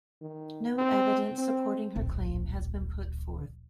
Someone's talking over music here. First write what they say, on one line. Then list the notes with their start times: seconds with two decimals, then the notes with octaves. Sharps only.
No evidence supporting her claim has been put forth.
0.22 D#3
0.78 C4
1.38 C4
1.96 D1 A#1